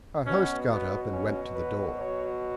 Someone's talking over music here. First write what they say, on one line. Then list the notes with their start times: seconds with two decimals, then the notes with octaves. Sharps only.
Our host got up and went to the door.
0.25 B2 F#3 B3 C#4
0.69 B3
1.12 C#4
1.55 B4
1.97 C#5